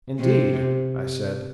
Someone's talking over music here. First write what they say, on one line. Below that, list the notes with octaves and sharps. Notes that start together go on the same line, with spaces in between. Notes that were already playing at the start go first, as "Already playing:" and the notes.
"Indeed," I said.
C3